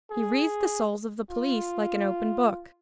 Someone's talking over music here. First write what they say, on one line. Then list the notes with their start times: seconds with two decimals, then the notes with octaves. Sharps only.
He reads the souls of the police like an open book.
0.11 G#4
1.31 F4